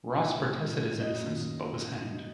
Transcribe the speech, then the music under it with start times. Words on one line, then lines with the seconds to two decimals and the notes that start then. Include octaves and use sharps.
Ross protested his innocence but was hanged.
0.17 A#2 D#5
0.38 G#3
0.59 A#2
0.79 G#3
1.00 F#2 D#5
1.21 D#3 A#3